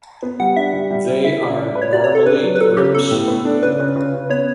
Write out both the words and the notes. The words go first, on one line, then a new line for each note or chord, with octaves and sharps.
They are normally grips.
B3
G3 F#5
D4 E5
G3
G3
G3
E4 E5
C#3
D5
B4
C#5
F#4 D5
C#5
D5
A4
D4 B4
F#3
B4
F#3 A4
C#3 G4
B3 A4
A2
B3
D4
C#3 B4
C#3
C#3
C#3
B3 C#5